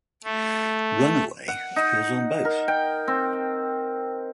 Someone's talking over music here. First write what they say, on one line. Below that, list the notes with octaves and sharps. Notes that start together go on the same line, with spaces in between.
"Runaway" appears on both.
A3
F#5
D#4
A#4
G5
C4